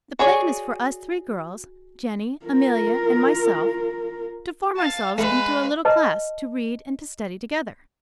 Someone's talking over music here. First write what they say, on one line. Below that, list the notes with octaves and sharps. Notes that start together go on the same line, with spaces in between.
The plan is for us three girls, Jenny, Amelia and myself, to form ourselves into a little class to read and to study together.
F#4 G#4 C#5 D5
F4 A#4
F5 A5
G#3 A3 B4 F5
B4 D#5 A5